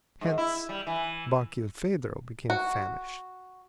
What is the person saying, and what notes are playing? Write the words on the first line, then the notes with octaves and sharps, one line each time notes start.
Hence Barkilphedro became famished.
G#2
E4
G3
E3
F#4